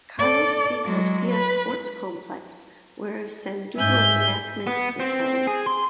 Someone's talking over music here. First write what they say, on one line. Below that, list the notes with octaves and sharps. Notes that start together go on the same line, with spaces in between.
Carlos P. Garcia Sports Complex where a Sandugo Re-enactment is held.
A4 D5
F#3 G#3
B4
G#2 E5 G#5 G6
B3
C4
G#4
C6